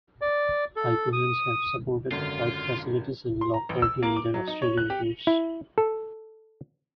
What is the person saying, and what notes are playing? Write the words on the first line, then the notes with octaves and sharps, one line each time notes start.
Haiku Hands have supported Flight Facilities and Bloc Party on their Australian tours.
D5
A4
D#6
G#1 F#2 D3 F4
C6
A#5
A1
E6
A#3
D6
F#3
D#4
C#5
F#6
G4
E4
A4